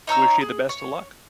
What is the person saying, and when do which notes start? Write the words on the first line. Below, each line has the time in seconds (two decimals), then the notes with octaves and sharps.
wish you the best of luck.
0.07 D#4 C#5 A#5 E6
0.41 G#4
0.69 C#5